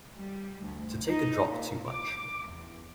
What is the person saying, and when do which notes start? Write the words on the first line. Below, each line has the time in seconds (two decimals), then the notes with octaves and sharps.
To take a drop too much.
0.17 G3
0.64 D2
1.07 D#4
1.48 A#2
1.89 D6
2.48 E2